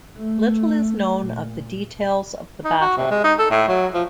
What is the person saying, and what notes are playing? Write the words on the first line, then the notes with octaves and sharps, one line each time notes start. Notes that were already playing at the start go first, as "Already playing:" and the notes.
Little is known of the details of the battle.
A3
A#2
D#4
F#4
C3
G#3
D#4
A4
A2
F#3
F3